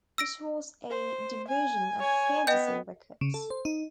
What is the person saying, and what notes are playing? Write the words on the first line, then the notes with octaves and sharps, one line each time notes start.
It was a division of Fantasy Records.
E6 A#6 D7
C5
G#5
C#5 G#5
B3 D#5 G5 G6
C#3
A4
C5
D#4